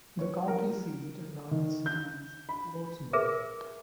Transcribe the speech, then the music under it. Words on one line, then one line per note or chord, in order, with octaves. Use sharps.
The county seat and largest city is Lordsburg.
C#5
A#4
D#3
G6
B5
G#4 A#4 B4 E5